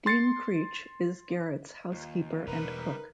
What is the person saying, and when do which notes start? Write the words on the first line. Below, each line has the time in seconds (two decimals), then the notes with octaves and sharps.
Dean Creech is Garrett's housekeeper and cook.
0.06 C6 A6 C7 C#7
1.92 D#2 A#3 D#4 F4
2.47 E1 G3 D#4 A#4 B4 A#5